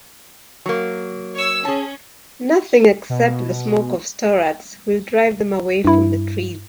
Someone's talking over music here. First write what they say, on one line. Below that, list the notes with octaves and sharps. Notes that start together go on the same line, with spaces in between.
Nothing except the smoke of "storax" will drive them away from the trees.
F#3 A#3
C#5 E6
C#4 G#4 A5
B2
G2 E4